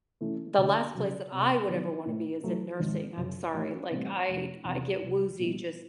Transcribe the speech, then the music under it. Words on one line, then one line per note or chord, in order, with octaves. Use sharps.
the last place that I would ever wanna be is in nursing, I'm sorry, like, I'd I get woozy just
E3 A3 C#4 E4
D2
C#3 F#3
C3
D#3 F#3 B3
A2
F#3 A3
G#1
F#2 C#3
A1
A2 E3 G3 C4
F1
E2 C3
C2
A#2 G3 B3 D#4